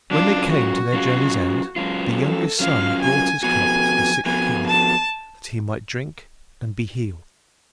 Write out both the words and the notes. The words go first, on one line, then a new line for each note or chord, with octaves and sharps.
When they came to their journey's end, the youngest son brought his cup to the sick king, that he might drink and be healed.
F#3 C#4 D4 F4
F#4
F#3 C#4 F4
F#3 C#4 F4
A4
F#3 C#4 F4 F5
G#5
F3 B3 F#4 G#5
F3 B3 F#4 G#5
A5